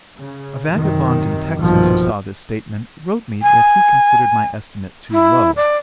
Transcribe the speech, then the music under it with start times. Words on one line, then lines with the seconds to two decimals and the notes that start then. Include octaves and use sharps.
A vagabond in Texas who saw this statement wrote me that he considered my estimate too low.
0.17 C#3
0.71 F#2 C3 D#3
1.60 A#1 G2 B2 D#3 F3
3.42 G#5
5.12 E4
5.56 D5